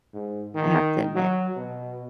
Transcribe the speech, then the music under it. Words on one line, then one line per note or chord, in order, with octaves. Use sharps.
I have to admit.
G#2
D#3
F#3
B2